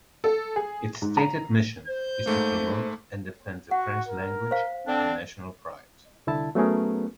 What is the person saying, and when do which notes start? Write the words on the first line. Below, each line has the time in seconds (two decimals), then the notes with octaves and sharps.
Its stated mission is to "promote and defend the French language and national pride".
0.24 A4
0.56 G#4
1.02 G#2
1.17 A#5
1.88 C5 G6
2.26 G#2 A3 A#3
3.71 F#4 F#5
4.09 A#4
4.51 C5 F5
4.87 D3 C4 D4 A4
6.27 C2 D3 E4 A5
6.55 F#3 A3 B3 C#4 G#4 A#4